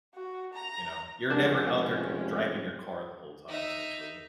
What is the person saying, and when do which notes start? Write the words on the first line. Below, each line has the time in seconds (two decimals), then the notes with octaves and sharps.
you know, you're never out there just driving your car the whole time, essentially.
0.14 F#4
0.53 A#5
1.30 F1 G3 G#3 C#4 D4 A#4 F#5 A5
3.48 D#4 E5